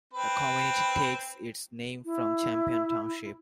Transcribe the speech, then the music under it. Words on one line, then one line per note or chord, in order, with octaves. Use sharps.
The community takes its name from Champion Township.
C4 B4
E4